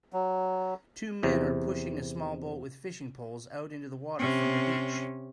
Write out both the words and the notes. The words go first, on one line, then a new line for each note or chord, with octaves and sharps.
Two men are pushing a small boat with fishing poles out into the water from the beach.
F#3
E2 C3
C3 C#4